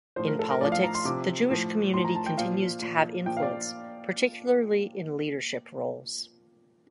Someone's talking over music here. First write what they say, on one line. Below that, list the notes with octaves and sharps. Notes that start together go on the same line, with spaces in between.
In politics, the Jewish community continues to have influence, particularly in leadership roles.
A2 F3 C5
A#4
A4
A#4
A2 F3 D5
F5
A#5
C6
C3 F3 D6
A2 F3
A2 F3 C6
A#5
A5
G5
A#2 F3 F5
A#2 F3
A#2 F3 G5
F5
D5